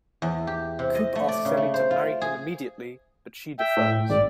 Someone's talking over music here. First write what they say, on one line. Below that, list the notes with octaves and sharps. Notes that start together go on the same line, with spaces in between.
Coop asks Ellie to marry him immediately, but she defers.
E2
G4
C3
D#5
A3
D5
C#3
A3
C5
F4
G#4
E5 G5
A2
G#1 D5